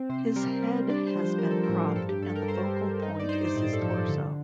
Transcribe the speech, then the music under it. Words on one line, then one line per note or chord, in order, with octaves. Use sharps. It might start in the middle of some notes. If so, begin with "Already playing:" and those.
His head has been cropped and the focal point is his torso.
Already playing: C4
C3 C5
G3 A#4
G3 A#4
D4 D5
C5
F3
C5
F3 A#4
A4
A#4
A2
G2 A4
G4
G2 A4
A#4
G2 C5
G2
D#4
D5
D#4 C5
C5
A2 D5
A4
F3
A4
D3 A4